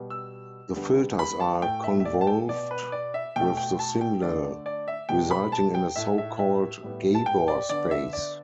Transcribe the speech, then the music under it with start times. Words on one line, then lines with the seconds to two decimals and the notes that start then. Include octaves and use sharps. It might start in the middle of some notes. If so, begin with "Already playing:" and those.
The filters are convolved with the signal, resulting in a so-called Gabor space.
Already playing: B2 G3 B3
0.10 E6
0.76 D3 G3 B3
1.19 B5
1.40 A5
1.62 A2 A3 G5
1.84 E5
2.00 E5
2.05 D5
2.21 A5
2.27 G5
2.49 B2 B3 D5
2.71 B4
2.92 D5
3.14 E5
3.36 B2 A3 G5
3.57 G5
3.79 A5
4.01 G5
4.22 D3 A3 D5
4.66 D5
4.88 E5
5.09 B2 G3 B3 G5
5.31 B5
5.52 A5
5.75 G5
5.96 A2 A3 E5
6.18 E5
6.39 E5
6.83 A2 G3 B3
7.14 A5
7.26 G5
7.48 D5
7.69 D3 B3 D5
7.91 E5
8.13 D5